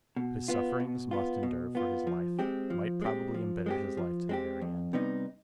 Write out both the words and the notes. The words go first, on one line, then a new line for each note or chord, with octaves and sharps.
But his sufferings must endure for his life--might probably embitter his life to the very end.
B2
B3 F4
B2
B3 F4
B2
B3 F4
F3
G#3 C4 G4
F3
G#3 C4 G4
F3
G#3 C4 G4
F3
G#3 C4 G4
F2
C3 G3 B3 D#4